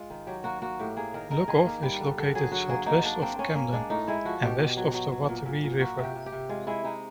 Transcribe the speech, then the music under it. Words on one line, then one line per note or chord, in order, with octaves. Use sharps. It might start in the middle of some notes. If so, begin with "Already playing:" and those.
Lugoff is located southwest of Camden, and west of the Wateree River.
Already playing: G#3 F4
D#3
F#3 G4
A#3 F#4
A#3 F#4
A2 G4
A#3 G#4
D#3 A#4
D#3 A#4
D#3 G#4
A#3
G3
D3
D3
F#3 G#4
F#3 F#4
A#3 G#4
A#3 D#4
A#3 D4
A#3 C4
A#3 C#4
A#3
G#3 D4
A2 D#4
G#3 E4
F3 F#4
B2 G4
B2
F#3
F#3
F#3
A#2
A#2
A#2
A#3 F#4
C3 G4
C3
G4
C3
G#3 F4
G#3 E4
G#3 D#4